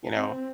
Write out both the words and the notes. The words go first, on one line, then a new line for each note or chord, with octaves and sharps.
you know?
C4